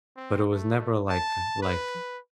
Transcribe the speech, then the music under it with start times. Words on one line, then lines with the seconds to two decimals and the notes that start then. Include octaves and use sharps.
but it was never, like uh, like,
0.17 C4
0.51 A3
1.10 A5
1.62 B4